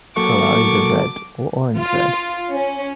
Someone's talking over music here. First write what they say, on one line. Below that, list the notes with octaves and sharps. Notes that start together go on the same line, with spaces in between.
Her eyes are red or orange-red.
F#3 A#3 A4 C#6 D6
F4
C#4